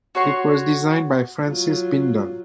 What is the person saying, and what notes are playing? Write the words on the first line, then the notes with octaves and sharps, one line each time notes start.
It was designed by Francis Bindon.
F#4 C#5 C6
F#3 F4